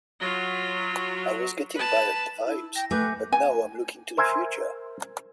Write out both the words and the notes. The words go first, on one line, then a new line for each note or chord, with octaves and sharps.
I was getting bad vibes, but now I'm looking to the future.
F#3 F4
B4 A5
E4
G5 A#6
A3 B4 G#5 D6 G6
G#5
A#4 C5 E5 G#5